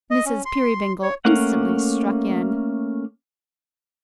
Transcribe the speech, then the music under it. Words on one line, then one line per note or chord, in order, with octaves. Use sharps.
Mrs. Peerybingle instantly struck in.
D#5
C#4
C6
C#5
A3 A#3 C#4 F#5